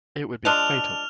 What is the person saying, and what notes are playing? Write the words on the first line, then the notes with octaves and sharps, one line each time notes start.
It would be fatal.
F3 G#3 D4 F6 F7